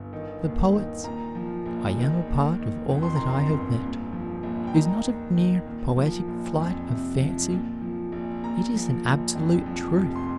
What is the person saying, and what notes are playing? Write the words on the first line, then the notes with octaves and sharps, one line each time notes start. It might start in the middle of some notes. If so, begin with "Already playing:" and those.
The poet's "I am a part of all that I have met" is not a mere poetic flight of fancy; it is an absolute truth.
Already playing: G1
D#3
D#2
D#3
A#2 A#5
F3
A#1
D#3
D#2
D#3
F2
C6
D#3 A#5
C6
G1
A#2
F3
A#1
G5
D#3 A#5
D#2
D#3
A#2
F3
A#1
F2
C3
F3
A#2
F3
A#1
A#2 A#5
F3
A#1
F2
F3
F1
C6